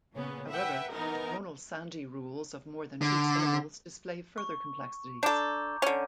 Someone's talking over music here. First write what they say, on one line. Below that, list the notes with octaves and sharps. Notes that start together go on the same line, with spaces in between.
However, the tonal sandhi rules of more than two syllables display further complexities.
A#2 C#3 B3 C#4
B4 E5 F#5 G5
E3 B3 D#4 A#4
D3
C#6
D4 A4 A#5 D6 G6
D3 C#4